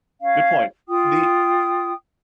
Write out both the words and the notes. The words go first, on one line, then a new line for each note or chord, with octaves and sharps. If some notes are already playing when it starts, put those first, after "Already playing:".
good point. The
C#4 F5
F4 G5 D#6